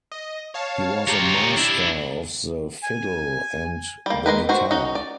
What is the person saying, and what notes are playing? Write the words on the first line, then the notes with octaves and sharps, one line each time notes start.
He was a master of the fiddle and the guitar.
D#5
C#5 F5 A5
F4 G4 C#5 A#5
D4 E4
G#5
G3 A#3
G#3 A#4 B4
D#3 F#4 C5
C#4 D#4 F#4
D5